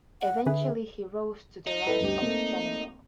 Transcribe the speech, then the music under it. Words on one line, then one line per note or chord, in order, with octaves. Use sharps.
Eventually he rose to the rank of general.
F#5
D3 G#4 B4 E5
D#4
E4 A4 B4
G1 D2 G4
A3 A#3 C4